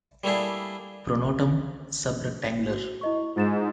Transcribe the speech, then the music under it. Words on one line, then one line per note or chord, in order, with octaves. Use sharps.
Pronotum sub rectangular.
G3 A3 A#3 D4 E4 G#4
F#4
E4 D#5 C#6
G#2 F4 A6 E7